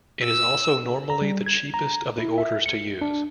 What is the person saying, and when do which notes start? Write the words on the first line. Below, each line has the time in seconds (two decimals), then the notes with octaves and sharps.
It is also normally the cheapest of the orders to use.
0.25 E6
1.10 A#5
1.22 G3
1.46 G#6
1.74 A#5
2.18 E4
2.38 E5
2.66 C#7
3.01 D4